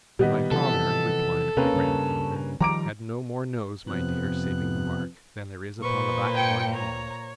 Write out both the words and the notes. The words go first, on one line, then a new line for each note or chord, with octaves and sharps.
My father, replied my grandfather, had no more nose, my dear, saving the mark, than there is upon the back of my hand.
A#2 D#3 G3 B3 D#5
C3 E3 F3 A4
C3 A#3 C#4 B4
G2 C#3
D#3 F3 G3 A#5 D6 D7
F2 C3 F3 B3 F#6
A#2 B4 C5 C#6
G5 G#5 C#7
C#5 A#5